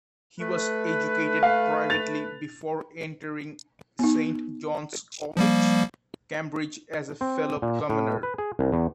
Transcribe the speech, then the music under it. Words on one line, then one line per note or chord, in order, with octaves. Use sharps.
He was educated privately before entering Saint John's College, Cambridge as a fellow commoner.
A3 B4
F5
A6 F7
B3 D#4
F3 G3 A#3
C4
A#2
A2
B4
G#4
C2
E2